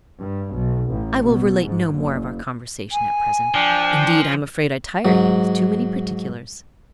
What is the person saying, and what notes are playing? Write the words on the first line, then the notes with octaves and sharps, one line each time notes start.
"I will relate no more of our conversation at present; indeed I am afraid I tire you with too many particulars."
G2
B1
A1
B2
G#2
F#1
G#5
F3 D4 G5
G#2 F#3